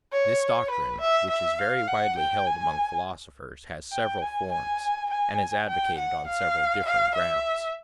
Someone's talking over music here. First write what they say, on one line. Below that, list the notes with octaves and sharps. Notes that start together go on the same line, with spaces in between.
This doctrine, which is very widely held among philosophers, has several forms, and is advocated on several different grounds.
C#5
B4
E5
E5
F5
F#5
G5
G#5
G5
G#5
G#5
G#5
G5
F#5
F5
F5
E5